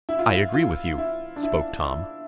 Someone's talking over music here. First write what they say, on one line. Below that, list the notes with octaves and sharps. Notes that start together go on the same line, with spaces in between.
"I agree with you," spoke Tom.
E4
F4
E4
F4
E4
D4
E4